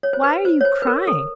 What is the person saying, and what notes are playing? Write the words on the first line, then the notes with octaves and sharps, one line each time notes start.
Why are you crying?
C#5
C5
B4
C5
C#5
C5
B4
A#4
A4